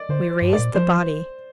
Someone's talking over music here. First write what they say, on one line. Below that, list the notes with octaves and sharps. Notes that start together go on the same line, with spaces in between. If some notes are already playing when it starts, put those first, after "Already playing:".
We raised the body.
Already playing: D5 D#5
D3 C5
G2
D5
A#2
F3 C5